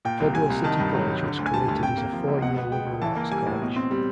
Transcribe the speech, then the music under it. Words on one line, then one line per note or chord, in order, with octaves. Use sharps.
Federal City College was created as a four-year liberal arts college.
A#2 G5
C2
G3 G#5
C2
D#3 A5
G2
F#3
G2
D3
D2
G#5
G3 A5
D2
C3 G5
A#3
F3
C#2
B2 F#5
B3
G#3 G5
C#2
E3 A5
A#3
G3 G#5
A2
B2
C4
G3